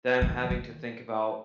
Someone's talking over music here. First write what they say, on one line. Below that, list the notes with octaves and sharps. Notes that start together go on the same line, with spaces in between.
them having to think about
D#3
D#3